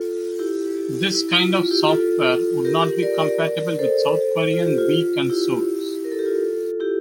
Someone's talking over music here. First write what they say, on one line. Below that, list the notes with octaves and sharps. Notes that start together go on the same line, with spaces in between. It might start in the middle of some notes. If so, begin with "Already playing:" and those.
This kind of software would not be compatible with South Korean Wii consoles.
Already playing: F4 A4
E4 G4
E4
F4
F4
E4 G4
F4 A4
G4 A#4
A#4 D5
A#4 D5
A4 C5
F4
G4
F4
E4 G4
A#4
A4
G4
F4 A4
E4 G4